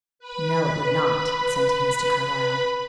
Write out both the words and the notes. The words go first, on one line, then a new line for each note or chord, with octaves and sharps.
"No, it would not," assented Mr. Carlyle.
B4 B5